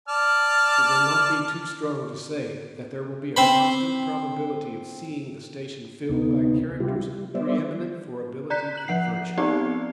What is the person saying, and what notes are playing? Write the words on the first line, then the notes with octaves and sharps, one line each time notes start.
It will not be too strong to say, that there will be a constant probability of seeing the station filled by characters pre-eminent for ability and virtue.
D5 A5 F6
C4 C5 B5
D2 C3 B3 D#4
C3 G3 E4 F4 G4
G3
G3 B3 C5 D5 E5
D5 A#5 F#6 G6 B6
F#6 F#7
F3 F#5 C7
B3 C4 D#4 G4 D5